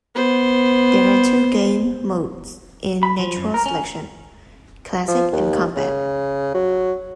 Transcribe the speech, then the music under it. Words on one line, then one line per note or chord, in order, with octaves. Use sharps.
There are two game modes in "Natural Selection": Classic and Combat.
B3 C5
B5
F3
F#2
A#4
C#4
F3
D#2
C#3
F#3